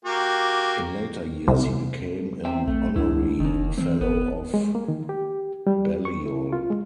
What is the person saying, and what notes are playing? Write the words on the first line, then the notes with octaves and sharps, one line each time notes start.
In later years he became an Honorary Fellow of Balliol.
A#3 F#4 G4
C2
C4 C5 E5 G5
A#1 A3
C#2 G#2 D4 E4
F1 D#3 A#3
E3 C4
G1 B3 A#4
G#3
A#3
D#3
G4
G3
C#6
E4
F4
G#3